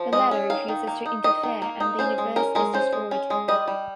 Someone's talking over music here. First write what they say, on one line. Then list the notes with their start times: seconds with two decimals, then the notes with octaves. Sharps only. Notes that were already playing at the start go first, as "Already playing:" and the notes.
The latter refuses to interfere and the universe is destroyed.
Already playing: F3
0.12 G#3 D#5
0.31 C#4
0.50 D#3 F5
0.68 D#3
0.87 A#3
1.06 D#4
1.24 D#3 D#5
1.43 D#3
1.62 A#3
1.80 D#4
1.99 C#4 C5
2.18 G#3
2.36 C#4 A#4
2.55 G#3 A#4
2.73 C#4 C5
2.93 G#3
3.11 C#4
3.30 G#3
3.48 G3 D#5
3.67 G3